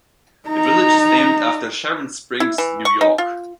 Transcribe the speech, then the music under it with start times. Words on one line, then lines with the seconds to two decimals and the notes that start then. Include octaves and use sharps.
The village is named after Sharon Springs, New York.
0.48 D#4 A#5
2.40 E4
2.58 E3
2.85 C#6
3.01 D#4
3.18 F4